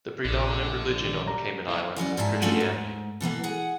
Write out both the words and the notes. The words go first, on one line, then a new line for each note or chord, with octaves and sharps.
The predominant religion on the Cayman Islands is Christianity.
A#1 D3
D#3
G3 A#5
D#2 F#3 E4
E3 F#3 C#4 D5
G#2 E5 G#5 A5
G#3 A3 C#4 D4 F4 F#4
G#2
B2 E3 A#3 B3
G#4 F#5